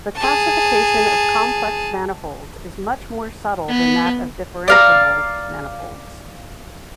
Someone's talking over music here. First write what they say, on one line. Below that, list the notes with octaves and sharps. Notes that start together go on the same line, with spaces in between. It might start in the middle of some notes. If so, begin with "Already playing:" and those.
The classification of complex manifolds is much more subtle than that of differentiable manifolds.
G#4 A5
B3
D5 F5 A#5